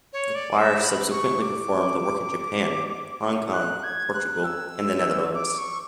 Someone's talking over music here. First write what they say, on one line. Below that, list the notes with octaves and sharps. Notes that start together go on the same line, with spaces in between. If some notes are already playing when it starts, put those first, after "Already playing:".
The choir subsequently performed the work in Japan, Hong Kong, Portugal, and the Netherlands.
C#5
D5
E5
B5
C#6
D6
F#6
G#6
F#6
E6
D6
C#6